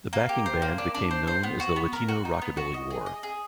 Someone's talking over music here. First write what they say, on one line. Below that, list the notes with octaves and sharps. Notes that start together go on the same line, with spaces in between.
The backing band became known as The Latino Rockabilly War.
A#3
G4
C5
A#3
D4
D4
C5
C5
B3
F#4
B3
A#4
F#4
D#4
B3
F#4
D#5
G#4
D#5
G#4